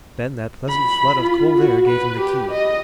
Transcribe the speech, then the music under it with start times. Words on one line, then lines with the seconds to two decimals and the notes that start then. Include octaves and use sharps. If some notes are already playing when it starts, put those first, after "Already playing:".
Then that pleasant flood of cold air gave him the key.
0.69 B5
1.21 F4
1.57 F#4
1.88 B4
2.20 G4
2.51 D#5